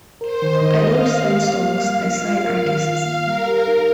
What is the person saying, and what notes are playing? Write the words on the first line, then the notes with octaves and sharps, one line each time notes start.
I don't sign songs, I sign artists.
A#4 C5
D#3
D#5
D#3
A#3 F5
A#3
G4
A#3
G3
G3
F3 F5
F4
A#4
D#3
F4
A#3
G3 A#4
G4
D#4